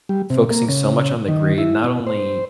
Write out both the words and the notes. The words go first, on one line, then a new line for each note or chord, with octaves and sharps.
focusing so much on the grade not only
G3
C3
A#3
C#3
D#3
E4
B2
C5